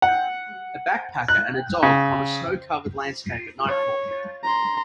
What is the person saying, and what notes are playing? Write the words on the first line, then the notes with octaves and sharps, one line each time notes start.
A backpacker and a dog on a snow covered landscape at nightfall.
F#5
F#6
C#3
C#5
A#5 C6